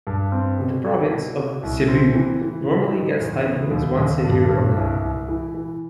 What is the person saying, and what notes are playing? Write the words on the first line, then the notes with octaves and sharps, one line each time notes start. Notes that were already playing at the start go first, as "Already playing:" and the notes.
The province of Cebu normally gets typhoons once a year or none.
G2
C4
B2
A4
B2
F#4
C2
C4
E3
E3
E3
D#4
E2
B3
D#2
D#2
G2
G2
C2
C2
E3
E3